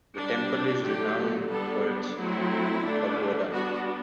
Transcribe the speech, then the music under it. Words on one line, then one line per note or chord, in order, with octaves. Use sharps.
The temple is renowned for its pagoda.
G3 D4
D3 F#3 A3 G4
D3 G3 B3 D4 A4
F#3 A3 C4 E4
D3 A3 D4
G3 B3 D4 F#4